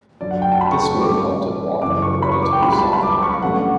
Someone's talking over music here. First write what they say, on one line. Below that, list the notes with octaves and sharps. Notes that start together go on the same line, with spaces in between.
This would have helped it walk over relatively soft ground.
F#2 D3 F#3 D5
F#5
G5
A5
B5
C#6
C#6
A1 G2 D3 G3 D6
F#1 F#2 E3 D6
C#6
B5
C#6
D6
G5
C#2 C#3 G3 B5
B5
A5
B5
D6
C#6
A1 G2 D3 A3 D4 F#5